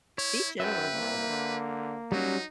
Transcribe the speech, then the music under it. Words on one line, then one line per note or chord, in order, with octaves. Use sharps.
be gentle on yourself.
E4 C#5
F#2 B4 E5 G5
C2 A#3
D3
F#3 G3 C#4 D#4